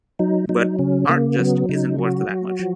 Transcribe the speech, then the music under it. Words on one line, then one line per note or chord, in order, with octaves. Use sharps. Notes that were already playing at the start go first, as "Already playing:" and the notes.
But "art just isn't worth that much".
F#3 D#4
F#3 D#4
C#3 C#4
C#3 A#3
F#3 B3
C#3 D#4
F#3 F#4
F#3
F3